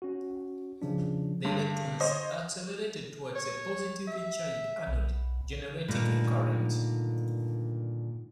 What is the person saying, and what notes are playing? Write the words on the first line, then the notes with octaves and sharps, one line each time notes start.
The electrons are accelerated towards a positively charged anode, generating a current.
C#4 F#4
C#3 F3 D4
G2 D3
C5 C#5 D#5
C#5
E5
B1
G2 A#2 D3 D#3 A3